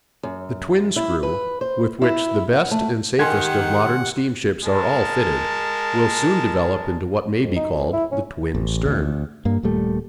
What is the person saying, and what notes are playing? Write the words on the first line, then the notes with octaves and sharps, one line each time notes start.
The twin screw, with which the best and safest of modern steam-ships are all fitted, will soon develop into what may be called "the twin stern".
F#2
E4
B4
C5
E4
F#5
A3
D#3 G4 F#5 G#5 C6 G#6
G#3 A#4 A5
F2
D#4
D2
E4
C#4
A1
D2
G2 A#3
D#1 A#2 G3 A3